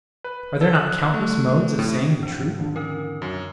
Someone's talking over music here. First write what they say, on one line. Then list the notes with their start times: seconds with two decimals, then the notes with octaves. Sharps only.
Are there not countless modes of saying the truth?
0.24 B4
0.61 A4
0.75 F#6
1.14 A3
1.79 A2
2.23 E2 G#2 F3 D4
2.59 D3 D#3
2.76 C#4 D#4 A#4
3.22 B1 F#2